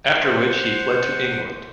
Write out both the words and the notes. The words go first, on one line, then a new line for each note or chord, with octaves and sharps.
After which he fled to England.
C5 F#5